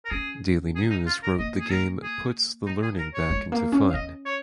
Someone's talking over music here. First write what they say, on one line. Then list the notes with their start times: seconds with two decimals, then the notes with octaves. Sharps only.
Daily News wrote the game "puts the learning back into fun".
0.05 A#4
0.11 C#4 G#4
0.75 G#4
0.90 D#4
1.06 F4
1.23 A#4
1.38 A#3 D#5
1.60 G#4
1.71 A#4
2.03 G#4
2.66 D#4
2.82 G#4
2.98 A#4
3.14 C#5
3.30 G#3
3.52 A#3
3.72 C#4
3.90 F5
3.94 C#4 D#5
4.26 C#5